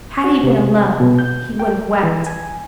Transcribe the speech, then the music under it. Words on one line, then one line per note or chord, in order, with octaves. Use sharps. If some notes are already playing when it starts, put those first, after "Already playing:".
Had he been alone, he would have wept.
F#4
C3
B2
G6
G5
E3
G#5